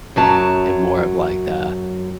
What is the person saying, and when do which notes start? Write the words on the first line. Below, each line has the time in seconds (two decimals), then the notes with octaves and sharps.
in more of like the
0.16 F#2 F#3 A5